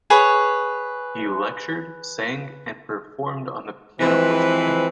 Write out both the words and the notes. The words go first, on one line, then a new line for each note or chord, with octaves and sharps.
He lectured, sang, and performed on the pianoforte.
G#4 B4 C#5
E3 F3 G#3 C4 G4 B4